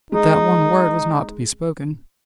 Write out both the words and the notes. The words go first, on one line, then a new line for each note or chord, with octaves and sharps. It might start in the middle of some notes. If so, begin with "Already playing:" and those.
But that one word was not to be spoken.
G#3 D#4